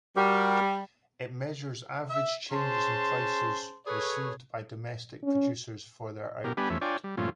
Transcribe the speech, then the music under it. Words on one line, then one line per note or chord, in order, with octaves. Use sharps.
It measures average changes in prices received by domestic producers for their output.
G3 F#4 G4 A#4
E5
C#4 G#4 C5 A5 C6
G#4 A4 B4 C#5
C#4
B2 G4 A#4
G3 B3 D4 G4 G#5 B5
E2 F3 A3 C#4 E5
D4 F4 C#5 D5 G5 G#5
G3
G2 A#2 F3 A3 C#4 F4